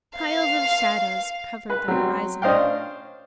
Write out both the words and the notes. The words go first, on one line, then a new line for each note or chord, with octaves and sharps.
Piles of shadows covered the horizon.
F5
B4
F#3 C4
C#4 D4 C5 D#5 F5 G5